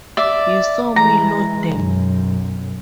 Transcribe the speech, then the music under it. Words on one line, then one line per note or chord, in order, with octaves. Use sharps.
You saw me load them.
D5 E5
E3 G#3 A#5
B1 F#2